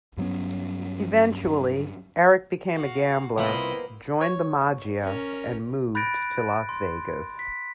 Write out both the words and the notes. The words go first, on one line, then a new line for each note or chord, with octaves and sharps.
Eventually Eric became a gambler, joined the Maggia and moved to Las Vegas.
G2 F#3 B3 C#4
F#4 F5
C2 A#3 B3 E4 F4 C5 D#5 G5
C#5
C#4 A#4
B5 F#6 G6 A6 A#6 D7
C6
B6